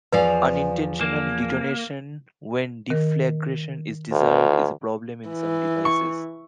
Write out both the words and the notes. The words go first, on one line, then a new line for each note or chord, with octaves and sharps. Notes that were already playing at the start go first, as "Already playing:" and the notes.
Unintentional detonation when deflagration is desired is a problem in some devices.
E2 F3 B4 D5 F5 G#5
A#3 E7
D#3 A#4
D2
E3
C#6